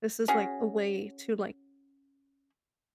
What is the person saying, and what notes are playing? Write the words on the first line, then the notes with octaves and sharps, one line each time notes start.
this is, like, a way to, like,
C#4 F#4 G#4